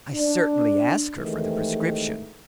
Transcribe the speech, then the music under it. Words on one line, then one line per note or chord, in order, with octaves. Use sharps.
I certainly asked her for the prescription.
D4
C3 D#3 E3 G#3 A3